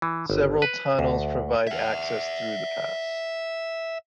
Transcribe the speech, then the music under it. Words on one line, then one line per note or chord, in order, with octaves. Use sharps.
Several tunnels provide access through the pass.
E3
G1
B4
D2
E5 F#5